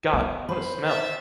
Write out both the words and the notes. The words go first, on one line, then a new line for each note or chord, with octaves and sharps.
God! What a smell!
B3
B4 C5
E5 A6